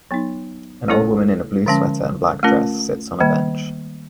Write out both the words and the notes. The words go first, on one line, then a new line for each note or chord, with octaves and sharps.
An old woman in a blue sweater and black dress sits on a bench.
F#3 B3 D#4
A3 C#4 E4 A4 C#5
D3 F3 G#3 C#4
A3 C#4 F4 A#4
D#3 G3 A#3